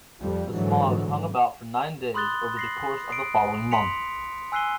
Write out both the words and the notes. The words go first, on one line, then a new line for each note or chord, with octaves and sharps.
The smog hung about for nine days over the course of the following month.
F2 F3 G3
G#2 D3 E3 F#3
B5 C6 D#6 F#6 A6 G7
A#6 C7 F#7
D#6 C7 D7
C6 B6 C#7 F7
G#5 E6 F#6 C7 D#7 G7